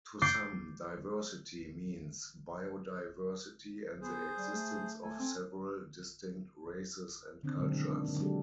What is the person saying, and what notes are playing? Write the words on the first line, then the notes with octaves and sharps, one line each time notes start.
To some, diversity means bio-diversity and the existence of several distinct races and cultures.
D6 G6 A6 C7
B3 G#4 C5
G3
A3
A3 A4 G#5
C4
D3 D#3 C4 D4
B2 D3 F#3 G#3 C4
D#3 E3
D4
D3 A#3
F#3 G#3 D4 F#4 G4 A4